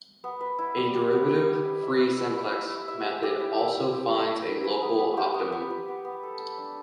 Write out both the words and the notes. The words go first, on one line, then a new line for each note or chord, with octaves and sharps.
The derivative-free simplex method also finds a local optimum.
B3
B4
E4
G3
G3
B3
E4
B3
E4
E5
E5
E4
E4
E5
E4
E5
G4
G4
E4
G4
G4
G4
E4
E4
B4
B4
B3
B3
G4
B3
B3
B4
B3
B3
A4
A4
D4